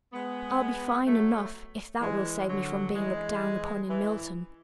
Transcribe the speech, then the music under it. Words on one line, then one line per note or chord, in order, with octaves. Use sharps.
I'll be fine enough, if that will save me from being looked down upon in Milton.'
G#3 B3
F#3 A3
E3 G#3
D3 F#3
E3 G#3
E3